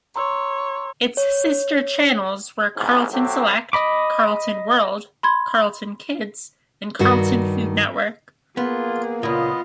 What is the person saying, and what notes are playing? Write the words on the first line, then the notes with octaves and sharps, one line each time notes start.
Its sister channels were Carlton Select, Carlton World, Carlton Kids, and Carlton Food Network.
C#5 A#5 C6 E6
C#5
A1 G#2 C3 F3
F#3 A3 C4 G4
D#5 B5 D6
B5 C6 G#6
G2 D#3 F#4
A#3 B3 F4 G#4
C#2 A#2 B3 F4 D#5